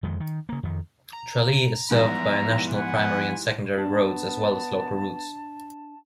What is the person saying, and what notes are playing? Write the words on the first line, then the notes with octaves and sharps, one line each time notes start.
Tralee is served by National Primary and Secondary roads as well as local routes.
F2 D#3 G#3
D#3
C#3 A#3
F2 D#3
A#5
G#2 E3 F3 G3 B3 E5 A#5
B4 F#5 G#5
B3 D4 A5